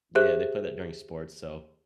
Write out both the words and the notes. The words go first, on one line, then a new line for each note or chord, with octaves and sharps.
Yeah, they played that during sports, so
G4 G#4 C5 E5 F#6